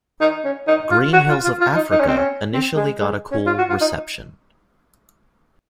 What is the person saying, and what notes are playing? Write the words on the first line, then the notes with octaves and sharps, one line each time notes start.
"Green Hills of Africa" initially got a cool reception.
D#4
C#4
D#4
F4
F#4
F4
F4
F4
D#4
D#4
C#4
C4
C#4
C4
G#3
G#3
C#4
F4
F#4
F4
D#4